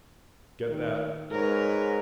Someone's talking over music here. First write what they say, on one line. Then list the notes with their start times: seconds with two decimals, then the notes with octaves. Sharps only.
Get that?
0.69 D#3
1.30 G#2 A#4 B4 C#5